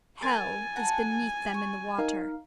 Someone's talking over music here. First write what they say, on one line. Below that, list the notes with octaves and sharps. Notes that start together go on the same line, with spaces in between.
Hell is beneath them in the water!
A#4 G#5 A6
F#5 A5 A#5
C#6
D#4 A#4 F5